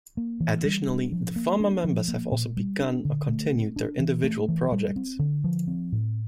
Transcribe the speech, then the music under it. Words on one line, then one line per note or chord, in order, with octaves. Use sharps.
Additionally, the former members have also begun or continued their individual projects.
A#3
E3
G3
D4
F3
A#3
D4
F3
A#3
A#2
G3
D4
D3
A3
C4
D4
E3
A3
E3
G3
C4
D3
F3
C4
A2